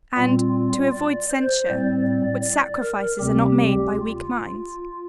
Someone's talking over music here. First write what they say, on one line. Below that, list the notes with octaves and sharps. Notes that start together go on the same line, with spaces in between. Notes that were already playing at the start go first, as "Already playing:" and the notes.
And, to avoid censure, what sacrifices are not made by weak minds?
A#2 G3 C4 F4
D5
C5
A2 G3 C4 D5
D5
D5
A#4
D2 C3 G3 C4 G4
F4